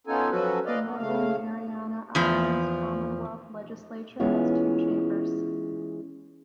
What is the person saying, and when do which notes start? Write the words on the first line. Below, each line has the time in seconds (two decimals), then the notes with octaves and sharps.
The Northern Mariana Islands Commonwealth Legislature has two chambers.
0.07 B3 C#4 D#4 F4 A4 G#5
0.30 F3 F#3 C#4 F#4 A4 B4
0.66 B4 D5 D#5 F5
0.86 B3
0.99 C#3 A3 F5
2.15 E2 F3
4.20 E3 G#3 B3 C#4 F4